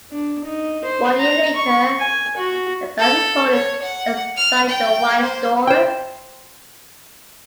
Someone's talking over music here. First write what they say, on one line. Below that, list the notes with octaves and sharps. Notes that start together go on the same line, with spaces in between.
One year later the band recorded "Inside the Why Store".
D4
D#4
C5
A#5
C#6
G#5
F#4
A4
C#5
F#5
F6
G5
C5
C5 G5